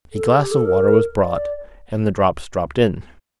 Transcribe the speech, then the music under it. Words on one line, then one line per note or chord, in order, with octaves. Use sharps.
A glass of water was brought, and the drops dropped in.
A4
G4
A4
A#4
D5